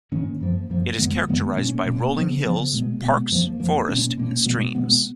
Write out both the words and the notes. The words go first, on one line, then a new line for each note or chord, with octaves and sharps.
It is characterized by rolling hills, parks, forest, and streams.
G#2 D#3 A#3 C#4
F#2 F3 A#3
F#2 F3 A#3
F#2 D#3 G#3 B3
F#2 D#3 G#3 B3
B2 A#3 C#4
B2 A#3 C#4
C#3 F3 B3
C#3 F3 B3
B2 G#3 B3
B2 G#3 B3
F2 F3 A#3
F2 F3 A#3
B2 A#3 C#4
B2 A#3 C#4
B2 G#3 B3
B2 G#3 B3